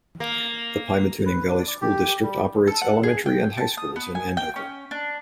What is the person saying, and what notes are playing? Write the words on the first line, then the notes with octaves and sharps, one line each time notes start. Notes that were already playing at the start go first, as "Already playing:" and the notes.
The Pymatuning Valley School District operates elementary and high schools in Andover.
A#3
B4
D4
D5
G4
G3
A4
F#5
G#4
G5
A5
D#6
B3
G#5
G5
C#4
D4